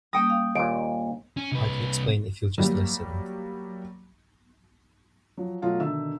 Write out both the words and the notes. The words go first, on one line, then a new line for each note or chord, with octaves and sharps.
I can explain if you'll just listen.
G3 A#3 C#4 G5 D#6
F5
D#2 A#2 D7
C#4
C2 B4
F#3 G3 A#3
F3 F#3
B2 F#3 A3 F4
B2 D3 D#3 E5 E6